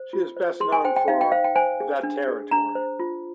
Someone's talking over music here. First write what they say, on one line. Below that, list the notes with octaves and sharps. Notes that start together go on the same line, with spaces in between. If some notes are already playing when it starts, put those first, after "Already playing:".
She is best known for "The Territory".
Already playing: C5
F4
C5
G#4 C6
G#5
C5 G5
G5
D#4 F5
G5
C5 F5
G5
C5 G#5
G#4
D4
G#4
D4 A#5
C5
F4